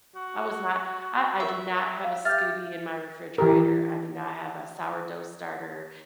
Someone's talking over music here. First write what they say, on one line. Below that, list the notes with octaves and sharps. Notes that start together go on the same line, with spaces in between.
I was not I I do not have a SCOBY in my refrigerator; I do not have a sourdough starter,
F#4
C#6
A#4 E5 F#5
F5
G4 E5 F6 G6 A6
E3 G4 A#4